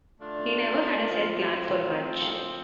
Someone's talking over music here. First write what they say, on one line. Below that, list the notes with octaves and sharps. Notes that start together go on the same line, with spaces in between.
He never had a set plan for a match.
D3 A3 D4 F4
A2 F3 C4 F4
A2 F3 C4